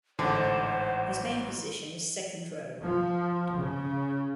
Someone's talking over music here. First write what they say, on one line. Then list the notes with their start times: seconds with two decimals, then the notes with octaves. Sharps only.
His main position is second row.
0.19 A1 G#2 D3 C5 C#5 F#5
2.82 F3
3.57 C#3